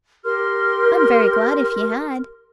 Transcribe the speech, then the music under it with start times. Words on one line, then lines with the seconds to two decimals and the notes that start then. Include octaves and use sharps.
I am very glad if you had.'
0.24 G4 A#4 C6 F6